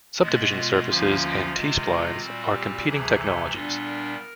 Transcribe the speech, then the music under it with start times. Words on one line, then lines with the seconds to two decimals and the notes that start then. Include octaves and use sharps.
Subdivision surfaces and T-Splines are competing technologies.
0.21 B2 G#3 B3 F#4
0.54 F4
0.87 D2 D3 F3 A#3 C#4 F4
1.53 C3 D#3 G#3 F4
1.86 F4
2.18 A#2 G3 C4 F#4
2.52 G4
2.84 D2 C3 E3 G#4
3.18 A4
3.50 A#2 G3 B3 D4 A4
3.84 A#4